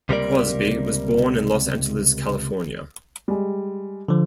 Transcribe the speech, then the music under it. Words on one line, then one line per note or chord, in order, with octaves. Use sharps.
Crosby was born in Los Angeles, California.
C#2 C3 G3 A#3 A#4 D5
G3 G#3
D3 F3